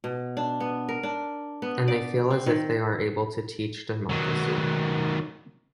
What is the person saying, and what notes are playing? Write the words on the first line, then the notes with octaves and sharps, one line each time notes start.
And they feel as if they are able to teach democracy.
B2
D4
B3
A#4
D4
B3
D5
C4
D#3
D#3 F#3